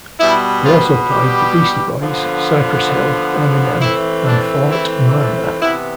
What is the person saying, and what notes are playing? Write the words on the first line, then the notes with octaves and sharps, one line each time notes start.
They also played the Beastie Boys, Cypress Hill, Eminem and Fort Minor.
B2 G3 B3 E4
F3 F4
G3 G4
D3 F3 B3
E3 A3 C4 E4
D4
E4
D4
C3 E3 B3 E4